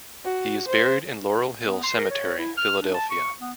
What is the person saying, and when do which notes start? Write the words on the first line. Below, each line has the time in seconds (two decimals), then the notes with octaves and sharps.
He is buried in Laurel Hill Cemetery, Philadelphia.
0.24 F#4
0.68 C5
1.65 B3
1.84 C6
1.97 A#4
2.10 C#5
2.39 E4
2.57 F6
2.82 D4
2.94 A5
3.10 C#6
3.41 B3